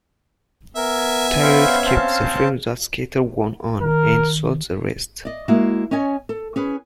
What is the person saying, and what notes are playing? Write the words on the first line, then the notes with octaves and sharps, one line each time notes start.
Tyrrell kept the frame that Scheckter won on, and sold the rest.
B3 A#4 E5 G#5
C#4 C5 C#5 F5 B5
C4 C5 A5
D#3 A#4
D5 D#5
G#3 A#3 E4 F#4
C#4 C#5 D#5 G#5
A4
C#4 G#4 B4